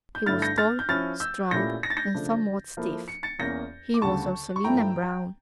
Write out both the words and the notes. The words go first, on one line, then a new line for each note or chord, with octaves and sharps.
He was tall, strong and somewhat stiff; he was also lean and brown.
G6
G2 D3 A3 E4 F6 A6
G6 A#6
F6 A6
G6
F3 C#4 E4 F6 A6
E6 G6
A#2 A3 C#4 E4 G4 G6 A#6
A#6
A6
G6 A#6
C#3 F3 A3 D4
F3 A#3 E4 A4
C#7
A6 C#7
E2 E3 A#3 C#4 G6 A#6
D6
D2 C#3 G3 A5 C#6
C#6
G2 F3 A3 E4 G5 A#5